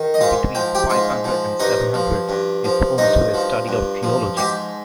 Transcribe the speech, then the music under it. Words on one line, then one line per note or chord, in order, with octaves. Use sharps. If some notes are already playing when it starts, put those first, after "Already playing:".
Between five hundred and seven hundred is home to a study of Theology.
Already playing: D#3
D#5
G#2 F4 F5
F3 G5
G4 G5
G#2 F4 F5
F3
G2 D#4 D#5
F3
G2
F3
G2 D#4 D#5
F3
G2
F3
G#2 G4 G5